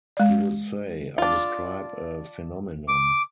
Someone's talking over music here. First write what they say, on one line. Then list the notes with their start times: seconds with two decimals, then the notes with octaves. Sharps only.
You will say, I describe a phenomenon.
0.17 G#3 D5
1.18 D4 F4
2.88 D6